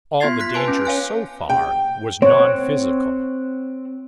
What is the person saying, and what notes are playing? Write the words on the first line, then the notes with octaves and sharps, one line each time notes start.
All the danger so far was nonphysical.
B3 F4 C6 G#6 A6 C7
F#6 B6
B4 G#5 A5 C6 D7
C#4
C#5 F5 G#5 F#6
G5
C4 C#5 F#5